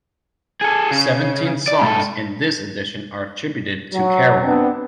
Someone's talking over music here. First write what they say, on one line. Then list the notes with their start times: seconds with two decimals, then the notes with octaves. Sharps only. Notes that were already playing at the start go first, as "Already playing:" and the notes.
Seventeen songs in this edition are attributed to Carrell.
0.61 G#4 A4
0.91 C#3
1.68 D5
1.81 G#2 A4
3.92 F#3
4.43 B3 C4 D4